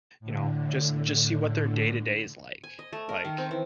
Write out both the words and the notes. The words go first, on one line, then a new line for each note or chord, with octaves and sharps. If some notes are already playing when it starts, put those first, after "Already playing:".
you know, just just see what their day to day is, like like,
A2 D3
G#5
D#5
A3
A#4
D#3
C4
E3